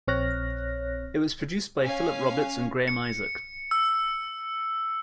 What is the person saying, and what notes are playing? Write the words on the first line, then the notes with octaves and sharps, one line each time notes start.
It was produced by Philip Roberts and Graeme Isaac.
A#1 C4 C#5 F6 F#6 A#6
C#4 F5 G#5
C#7
E6